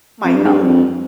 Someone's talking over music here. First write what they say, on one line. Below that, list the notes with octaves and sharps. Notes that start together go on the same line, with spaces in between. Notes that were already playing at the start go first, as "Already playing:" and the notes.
my health.
F2
G2
G#2
G2
F2